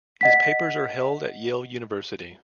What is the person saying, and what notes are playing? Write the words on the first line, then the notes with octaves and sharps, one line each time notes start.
His papers are held at Yale University.
D#5 F#5 B6